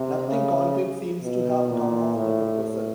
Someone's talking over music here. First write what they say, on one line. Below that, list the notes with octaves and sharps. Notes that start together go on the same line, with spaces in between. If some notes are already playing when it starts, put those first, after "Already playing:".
Nothing concrete seems to have come of the proposal.
Already playing: C3
C#3
B2
A#2
A2
A2